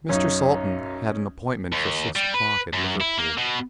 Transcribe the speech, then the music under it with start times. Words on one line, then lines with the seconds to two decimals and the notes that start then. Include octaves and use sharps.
Mr. Salton had an appointment for six o'clock at Liverpool.
0.09 B1 F#2 C#4 D#4
1.72 D#2
2.16 G3
2.34 B4
2.73 F#2
3.00 E4
3.18 A#3
3.38 B2